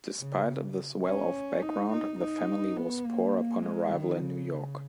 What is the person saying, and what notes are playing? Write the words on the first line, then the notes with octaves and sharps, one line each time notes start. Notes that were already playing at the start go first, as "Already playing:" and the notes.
Despite this well-off background, the family was poor upon arrival in New York.
C#3
C#4
D#4
D#4
D#4
B3
A#3
G#3
D#3
C#3